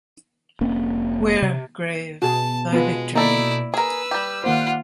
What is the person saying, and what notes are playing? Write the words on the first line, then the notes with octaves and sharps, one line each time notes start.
Where, grave, thy victory?
F1 A#3 C4 C#4
C3
B2 F#4 G#4 A5
G#3 B3 F4 B4
A#3 D#4 E4 A4 D5
G#4 A#4 B4 E6
G3 G4
D#3 A#3 F4 C5 F#5